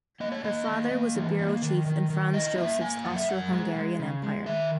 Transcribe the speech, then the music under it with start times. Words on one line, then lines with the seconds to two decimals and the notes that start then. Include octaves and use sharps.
Her father was a bureau chief in Franz Joseph's Austro-Hungarian Empire.
0.20 A#3 D#5
0.32 C#5
0.44 A#3 D#5
0.67 A#3
0.91 A#3
1.15 E3
1.38 A#3
1.62 D#3
1.86 D#3
2.10 D#3
2.33 E4 D#5
2.57 A#3 E5
2.80 A#3 G#5
3.04 F#2 F#5
3.16 E5
3.28 F#2 F#5
3.52 G#3
3.75 G#3
3.99 C#3
4.23 G#3
4.46 D#3 E5